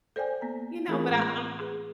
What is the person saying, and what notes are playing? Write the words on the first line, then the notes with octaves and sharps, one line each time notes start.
You know, but I I'm
A4 C5 D5 G5 G#5
A#3 B3 A#5
E3 A3 C4 F4 G#4 A#4
A2 G#3 A3
F#5
G#4 B4